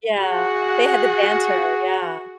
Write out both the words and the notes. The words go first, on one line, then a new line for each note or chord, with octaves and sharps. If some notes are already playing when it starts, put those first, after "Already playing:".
Yeah, they had the banter. Yeah.
F#4 G#4 F#5